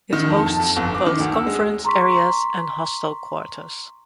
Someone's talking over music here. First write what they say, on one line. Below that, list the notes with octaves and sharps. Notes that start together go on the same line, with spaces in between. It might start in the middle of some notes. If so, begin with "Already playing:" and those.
It hosts both conference areas and hostel quarters.
D#3
F2
A5
F2
G1
D6
D#3
D2
E6
G#3
A#5 C6 C#6 B6